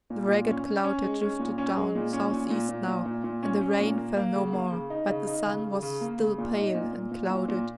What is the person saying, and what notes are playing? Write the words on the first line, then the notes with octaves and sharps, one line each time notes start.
The ragged cloud had drifted down south-east now and the rain fell no more, but the sun was still pale and clouded.
A#2
A#2
C#4
C#4
C#4
G#3
C#4
A#2
C#4
G#3
A#2
C#4
A#2
A#2
A#2
A#2
A#2
A#2
C#4
C#4
A#2
A#3
A#3
C#3
A#3
C#3
D#4
C#3
D#4
C#3
C#3
C#3
A#3
C#3
A#2
D#4
A#2
A#2
A#2
A#2
A#2